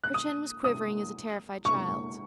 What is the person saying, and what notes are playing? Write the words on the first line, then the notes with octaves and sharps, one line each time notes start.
Her chin was quivering as a terrified child's.
F#6
D#6
D#6
C#6